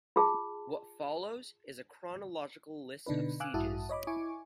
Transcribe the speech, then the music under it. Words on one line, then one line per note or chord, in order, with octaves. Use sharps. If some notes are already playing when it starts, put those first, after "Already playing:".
What follows is a chronological list of sieges.
F4 G#4 A5
B2 D3 D4 D#4 B4
F5 G#5 D6 E6 F#6
A1 G2 E4 F#4 A5 D#6
C#5 D#5 B5 D6
E4 G#5 C#6 D6